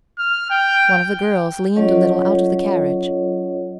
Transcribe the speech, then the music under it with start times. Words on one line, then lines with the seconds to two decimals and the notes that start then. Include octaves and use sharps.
One of the girls leaned a little out of the carriage.
0.19 F6
0.51 G5
1.76 F#3 C#4 F4 A4 C#5 D#5